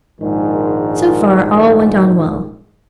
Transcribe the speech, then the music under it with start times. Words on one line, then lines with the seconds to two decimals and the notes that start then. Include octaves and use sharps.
So far all went on well.
0.20 A#1 G#2 D#3 G#3